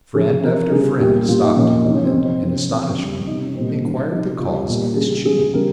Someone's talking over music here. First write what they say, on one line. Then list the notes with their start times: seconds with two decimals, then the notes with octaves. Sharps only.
Friend after friend stopped him, and, in astonishment, inquired the cause of this change.
0.15 C#3 F3 G#4
0.43 C3 F3 A#4
0.71 C#3 G3 G#4
1.00 A#2 G3 G4
1.28 A#2 G3 F4
1.43 D#4
1.57 A#2 F3 C#4
1.85 C#3 F3 D#4
1.95 C#4
2.04 C4
2.14 C3 F3
2.42 C3 F3 C4
2.56 C#4
2.70 C#3 F3 C4
2.98 C#3 G3 C#4
3.27 C3 G3 D#4
3.45 C#4
3.55 A#2 G3 C4
3.84 C3 D#3 G3 C#4
4.12 C3 F3 D#4
4.40 C#3 G3 F4
4.68 A#2 G3
4.97 C#3 G3 G#4
5.25 C#3 G3 G#4
5.53 C#3 G3 A#4